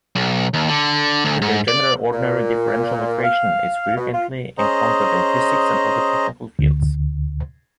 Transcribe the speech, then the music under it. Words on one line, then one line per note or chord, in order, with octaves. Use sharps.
The Legendre ordinary differential equation is frequently encountered in physics and other technical fields.
B1
D#2
D3
D2
G#2
D5
A#2
F5
B2
F4
C#4 G#4 C5 D#5 A#5
D2